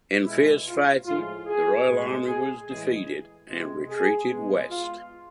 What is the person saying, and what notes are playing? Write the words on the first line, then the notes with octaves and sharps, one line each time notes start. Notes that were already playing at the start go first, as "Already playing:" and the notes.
In fierce fighting, the royal army was defeated and retreated west.
B2 G#3 E4
F4
A2 F3 G#3 F4
G#4
A2 G#3
G#4
A2 E3 G#3 G#4
C3 G#3
G#4
B2 G#3
F4